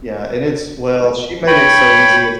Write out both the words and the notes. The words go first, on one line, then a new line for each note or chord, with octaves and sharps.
Yeah, and it's well, she made it so easy it's
C#5 G5 B5